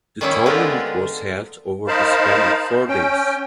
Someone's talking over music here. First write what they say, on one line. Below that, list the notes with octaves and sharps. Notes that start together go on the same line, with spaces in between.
The tournament was held over the span of four days.
D#3 G3 A#3 C#4 D#4 E4
D3 G#3 B3 F4 G4 A#4
D#4 A#4 C5 F5 A5 B5
C#4 G5